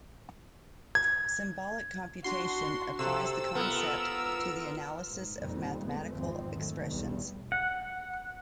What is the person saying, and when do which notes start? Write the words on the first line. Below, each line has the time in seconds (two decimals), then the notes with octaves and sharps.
Symbolic computation applies the concept to the analysis of mathematical expressions.
0.95 G#6
2.24 D4 F#4 C6
2.99 C3 A4 E6
3.55 B3 F4 A4 A#4
5.08 G#2
5.38 F2 A#2 D#3 G3 C4
5.81 G#3 A3 B3
6.13 G#1 E2 F3 C4
6.54 D#3 F#3 A3
6.88 B1 E2 G3
7.52 F#5